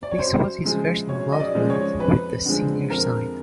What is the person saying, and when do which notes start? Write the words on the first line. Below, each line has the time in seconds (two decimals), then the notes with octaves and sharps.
This was his first involvement with the senior side.
0.03 D5
0.11 C#5
0.18 F#2 C5
0.64 C#3 F3 G#3
1.09 F#2 C#5
1.32 D#5
1.40 D5
1.55 C#3 F3 G#3
1.70 C#5
1.99 F2 B4
2.45 D3 F3 G#3
2.90 F2 A#4